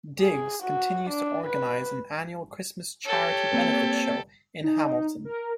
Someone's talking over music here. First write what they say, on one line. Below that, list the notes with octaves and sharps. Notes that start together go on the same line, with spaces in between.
Digs continues to organize an annual Christmas charity benefit show in Hamilton.
G#4
F#4
D4
B4
G4 A4 C#5
A#3 C4 B4
D#4
A#4